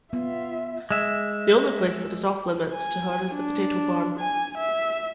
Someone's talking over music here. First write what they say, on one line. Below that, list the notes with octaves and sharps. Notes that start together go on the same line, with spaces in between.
The only place that is off-limits to her is the potato barn.
B3 F4 E5
G#3 E5
G#5
D4
G#5
E5